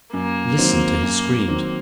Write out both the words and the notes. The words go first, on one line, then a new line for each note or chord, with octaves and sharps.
Listen to his screams!
F#2 A#3
D#3 F#3 C4
F#2
D#3 F#3 C4